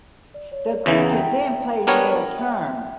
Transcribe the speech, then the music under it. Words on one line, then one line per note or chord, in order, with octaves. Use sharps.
The creature then plays their turn.
D5
C#5
D5
E2 C#3 E3 E5
F#5
A#5
G5
G5
G5
G3 B3 D4 A#4 C#5 G5
F#5
E5